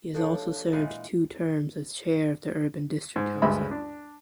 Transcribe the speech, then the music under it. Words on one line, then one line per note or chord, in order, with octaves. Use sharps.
He also served two terms as chair of the Urban District Council.
F3 D4 A4 C#5
A#2 E3 G#3
G#2
D2 G2 G#3 E5 B5
D4